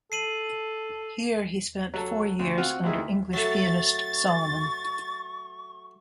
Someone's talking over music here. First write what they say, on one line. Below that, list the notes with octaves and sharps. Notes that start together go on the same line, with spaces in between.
Here he spent four years under English pianist, Solomon.
A4 C7 D#7 F#7
F#3 A4
D2
C4 F4 F#4
D2 D#3 G#3 E4 G#4
F#3 A3 C#6 A6